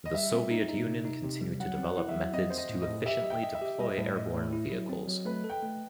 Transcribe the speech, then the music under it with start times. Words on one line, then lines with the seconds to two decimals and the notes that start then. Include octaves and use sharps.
The Soviet Union continued to develop methods to efficiently deploy airborne vehicles.
0.06 D#5
0.13 G3 E5
0.32 C4
0.51 D#4
0.69 D#4
0.87 C3
1.05 D#4
1.24 C3
1.41 G3
1.60 F#3 F#5
1.78 C4
1.85 F#5
1.97 E4
2.08 E5
2.15 F#3
2.33 C4 D#5
2.50 C4 C5
2.57 D#5
2.69 A2
2.82 D#5
2.88 A2
3.06 G4 E5
3.24 D#5
3.30 G5
3.43 D#5
3.55 E5
3.61 G4
3.80 G3 D#5
3.98 A2
4.16 A2 D#5
4.34 A2
4.53 E4
4.71 F#3
4.89 C4
5.07 F#3
5.25 A3 B4
5.44 A4
5.50 G5
5.63 A3